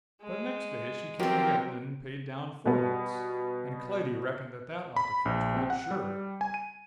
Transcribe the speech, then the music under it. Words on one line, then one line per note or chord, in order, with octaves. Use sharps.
But next day she came again and paid down four bits, and Clytie reckoned that that ought to fetch Bud sure.
G#3
F3 F#3 C4 G4 A#4 G5
B2 G3 B3
B5
A#1
C4
F#5
G3
G#5
D#7